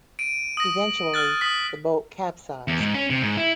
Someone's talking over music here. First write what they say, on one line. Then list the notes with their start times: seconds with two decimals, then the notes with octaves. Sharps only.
Eventually the boat capsized.
0.19 D7 D#7
0.57 D#6 A#6
1.14 F6 F#6 A6
1.41 D#6 B6
2.68 E2
2.81 G#2
2.95 C#4
3.10 C3
3.22 G#2
3.37 E4